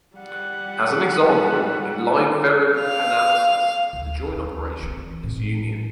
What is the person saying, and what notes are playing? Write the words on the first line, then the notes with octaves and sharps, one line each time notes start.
As an example, in live-variable analysis, the join operation is union.
G3 F#5
F5 F7
D2
D#2 F#3
E3 C4
A#1 A2